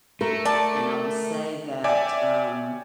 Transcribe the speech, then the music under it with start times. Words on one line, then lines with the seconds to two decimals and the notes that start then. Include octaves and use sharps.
And I will say that, um
0.21 A3 A#4
0.45 D5 A5
1.84 C#5 D5 E5 G5 G#5 D6